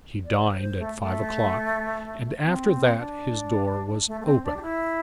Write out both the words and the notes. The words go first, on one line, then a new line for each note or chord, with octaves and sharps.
He dined at five o'clock, and after that his door was open.
D5
C5
C5
A3
A3
C4
D4
A3
A3
C4
D4
G4
E4